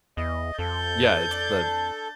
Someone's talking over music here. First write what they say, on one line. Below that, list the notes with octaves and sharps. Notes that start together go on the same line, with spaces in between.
Yeah, it's the
E2 D#5
F2 A4 G6 A6
D4